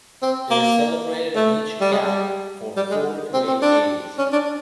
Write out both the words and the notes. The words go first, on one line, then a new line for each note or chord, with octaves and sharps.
It is celebrated on each ghat for four to eight days.
C4
A#3
A3
G3
G#3
G3
G3
G#3
C4
C4
D4
C#4
D4